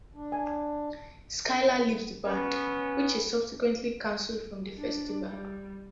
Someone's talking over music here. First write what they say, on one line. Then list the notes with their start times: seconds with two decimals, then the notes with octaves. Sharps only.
Skyler leaves the band, which is subsequently cancelled from the festival.
0.14 D4
0.32 G#5
2.24 B3 C#4
4.78 D4
5.28 G3